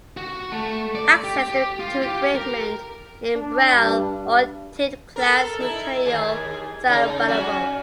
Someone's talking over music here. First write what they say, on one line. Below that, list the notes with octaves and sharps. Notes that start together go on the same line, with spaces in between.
Access to equipment and braille or taped class material is available.
F#4
A3
D5
G4
G4
F4
G4
A#4
D4
G2
A4 A#4
D#4 E4
D#2 G#4
C#3 D#4
F#3 C#4 F#4